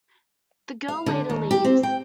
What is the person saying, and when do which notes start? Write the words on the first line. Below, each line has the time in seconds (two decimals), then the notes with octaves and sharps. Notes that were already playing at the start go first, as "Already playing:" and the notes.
The girl later leaves.
0.88 F5
1.06 D3
1.30 D#2
1.51 G4
1.65 C4
1.83 G5